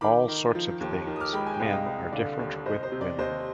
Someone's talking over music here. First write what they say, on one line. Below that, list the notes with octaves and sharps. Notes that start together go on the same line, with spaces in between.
All sorts of things... Men are different with women.
D#3 B5 D6
D#3
F3
D#2
D#3
D#6
D6 F6
G#3 G5 B5
G#5
G5
C2 F5
D#5 G5
C2
D3 D5 F5
D#2
C2 C5 D#5
C5
C3
D5
D#2 C5 D#5